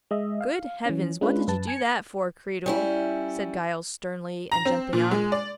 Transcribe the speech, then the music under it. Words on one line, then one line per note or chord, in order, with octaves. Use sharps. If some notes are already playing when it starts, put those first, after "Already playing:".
"Good heavens! what did you do that for, Creedle?" said Giles, sternly, and jumping up.
G#3 D#5 E5
F5
E3 C#4
G#3 C#4 D4 F4 B4
F#2 B4 A5
G#5 G#6 C#7
G3 C#4 E4
A#5
C4
A#2
G#3
D5